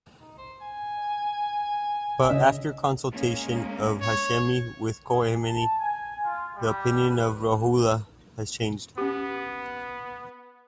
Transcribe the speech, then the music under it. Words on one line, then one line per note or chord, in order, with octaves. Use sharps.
But After consultation of Hashemi with Khomeini, the opinion of Rouhollah has changed.
D#4
C5
G#5
C#3 C#4 D#5 E5
G#3 A#3 C#4
C#5
G#4
A5
G#5
F4
G3
B4
B3 C#4 G4